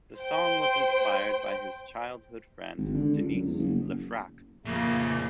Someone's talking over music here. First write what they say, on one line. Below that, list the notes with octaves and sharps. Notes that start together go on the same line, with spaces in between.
The song was inspired by his childhood friend, Denise Lefrak.
C5 G5
G#1
D3
C#2
F#2
E2
F#1
F2 A#2 C#3 A3 A#3